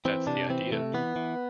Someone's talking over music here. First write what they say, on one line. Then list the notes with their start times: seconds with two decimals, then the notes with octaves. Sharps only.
That's the idea.
0.05 E3 C4
0.27 C3 D4
0.49 E3 C4
0.71 C3 A3
0.94 E3 B3
1.16 E3